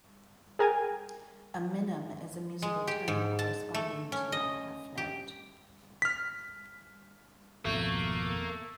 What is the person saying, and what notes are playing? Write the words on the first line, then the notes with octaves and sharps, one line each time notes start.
A minim is a musical term corresponding to a half note.
G#4 A#4 G5 G#5
G#3
G4
G#2
A5
A3
C#4
D#5
G4
F6 B6
G#1 F2 B2 A3 A#3